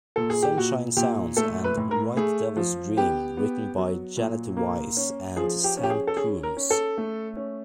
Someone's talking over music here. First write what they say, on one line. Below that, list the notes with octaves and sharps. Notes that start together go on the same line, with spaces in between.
"Sunshine Sounds" and "White Devil's Dream" written by Janet Weiss and Sam Coomes.
A#2 A4
G#4
G4
A#2 F#4
A#2 G4
A3 A4
B4
A2
A#4
A3 G#4
F3
B3 G4
B3
F#3
A#2
A#3
C#4
F3 G#4
G4
C#4
G4
G#4
A4
C#4 G#4
A#4
C#4
A4
A3
C#4